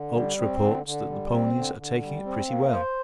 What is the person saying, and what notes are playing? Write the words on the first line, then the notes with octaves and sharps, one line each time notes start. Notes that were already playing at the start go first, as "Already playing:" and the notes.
Oates reports that the ponies are taking it pretty well.
Already playing: D3
G3
C4
D3
D3
G3
C4
D3
D3
G3
C4
A#3
C5